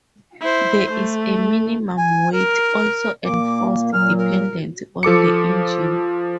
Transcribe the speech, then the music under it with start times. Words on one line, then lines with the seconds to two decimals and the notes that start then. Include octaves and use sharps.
There is a minimum weight also enforced dependent on the engine.
0.41 E4 C5
0.92 A3
1.97 G#5
2.32 A#4
3.25 A#2 A#3 D6
3.93 A#2 F#3 F6
4.18 A#4
5.03 F3 A4 D6 C#7